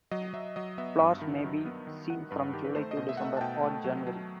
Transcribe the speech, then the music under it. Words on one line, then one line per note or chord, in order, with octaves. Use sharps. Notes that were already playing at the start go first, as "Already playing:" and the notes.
Flowers may be seen from July to December or January.
F#3 D#5
F#3 E5
F#3 D#5
B3 E5
G2
D#3
F#3
B3
D#3
D#3 F#5
G2 B4
D#3 G4
B4
A3 C5
D#5
B2
E5
A3 F#5
E5
A5
B2 G5
A3
F#3
F#3